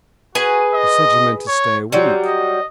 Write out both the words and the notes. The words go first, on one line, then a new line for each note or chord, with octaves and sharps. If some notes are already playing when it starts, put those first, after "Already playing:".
You said you meant to stay a week.
F#4 G#4 B4 G#5
D#5
C#5
F#3 G3 C4
D#5